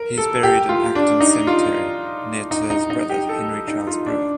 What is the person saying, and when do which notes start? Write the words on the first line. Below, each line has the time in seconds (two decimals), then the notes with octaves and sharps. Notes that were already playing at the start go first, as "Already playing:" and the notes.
He is buried in Acton Cemetery near to his brother Henry Charles Brewer.
Already playing: A#4
0.18 A4
0.43 G4
0.69 F4
0.95 D4
1.21 D#4
1.47 F4
2.51 D#4
2.70 D#4
2.90 D#4
3.09 G4
3.29 A4
3.68 D#4
3.87 F4
4.06 D4